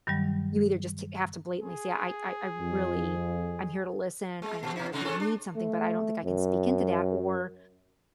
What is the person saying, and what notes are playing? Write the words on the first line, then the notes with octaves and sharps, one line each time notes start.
you either just t have to blatantly say, "I I I really I'm here to listen, I'm here if you need something, but I don't think I can speak into that," or,
G2 D#3 F#3 G3
G#4
F2
G#3
A#2 A#3 C4
B2 D#4
G#2 C3 D#4
G#2 C4 A4
D4
A3
F#2